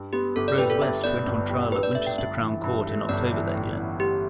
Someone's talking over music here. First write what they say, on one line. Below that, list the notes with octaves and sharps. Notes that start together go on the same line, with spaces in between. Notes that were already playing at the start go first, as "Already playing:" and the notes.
Rose West went on trial at Winchester Crown Court in October that year.
Already playing: G2
B3 G4
G1 A4
D5
G3 B4
A4
G2 E5
B3 D5
G1
G3
G2 B4
D5
A3 E5
G5
G1 E5
E3
G2
A3
G1 D5
E3
A2
A1
A1 G4